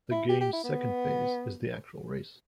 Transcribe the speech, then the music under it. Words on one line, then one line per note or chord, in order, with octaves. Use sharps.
The game's second phase is the actual race.
E4
G4
G4
E4
B3